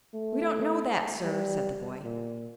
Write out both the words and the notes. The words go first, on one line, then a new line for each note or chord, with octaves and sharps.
"We don't know that, sir," said the boy.
A3
G3
A#2